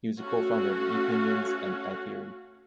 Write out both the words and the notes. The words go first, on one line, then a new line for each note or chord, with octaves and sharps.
He was a co-founder of Epinions and Alpiri.
A3 C#4 F#4 F5 F#5